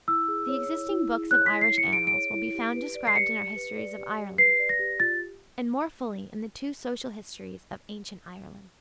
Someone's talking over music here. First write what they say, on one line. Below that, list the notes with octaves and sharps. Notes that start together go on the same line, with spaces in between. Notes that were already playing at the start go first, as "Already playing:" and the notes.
The existing books of Irish Annals will be found described in our Histories of Ireland, and more fully in the two Social Histories of Ancient Ireland.
E4 E6
G#4
C#5
E4
E4
G#4
C#5 F#6
B6
E4
C7
E4
C#7
G#4 D7
D7
C#5
E4
G4
B4
D5
C7
G4 C#7
G4
B4
D5
G4
G4
B4 C7
D5
A#6
G4
F4 A6